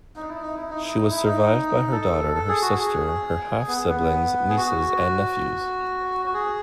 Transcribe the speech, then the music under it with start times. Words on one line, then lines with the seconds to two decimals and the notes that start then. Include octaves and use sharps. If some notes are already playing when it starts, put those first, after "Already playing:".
She was survived by her daughter, her sister, her half-siblings, nieces and nephews.
0.16 D#4
0.29 E4
0.42 D#4
0.57 E4
0.70 D#4
0.84 E4
0.96 D#4
1.10 E4
1.24 D#4
1.92 A4
2.36 A4
2.49 G#4
2.62 F#4
2.75 G#4
3.68 B3
3.89 B3
4.50 G#4
4.57 F#4
6.26 F#4
6.34 G#4